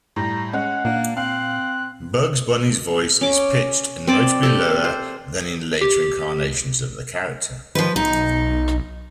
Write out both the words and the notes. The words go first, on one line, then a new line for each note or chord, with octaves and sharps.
Bugs Bunny's voice is pitched noticeably lower than in later incarnations of the character.
A2 G3 G4 A#5
G#3 C#4 F#5
A#2 A#3 D4
C4 F5 F#6
C#4 D6
C4 D5 A5
G4 A4
C5
G4
D#3 F3 B4
B1 D#4